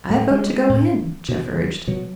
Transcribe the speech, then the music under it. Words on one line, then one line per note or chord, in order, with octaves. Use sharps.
"I vote to go in," Jeff urged.
A2 A3
G#3
G#3
A2
B2
B2 F#3